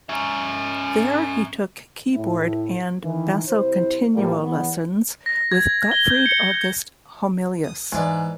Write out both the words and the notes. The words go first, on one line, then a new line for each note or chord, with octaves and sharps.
There he took keyboard and basso continuo lessons with Gottfried August Homilius.
C#4 E5
A2 E4
D#3 E3
C2 E4 C5
A2 F3 G3 A#3
E2 B3
A#6
G#6
G7
G6
C#7
G6
D#6
G#2 E3 D5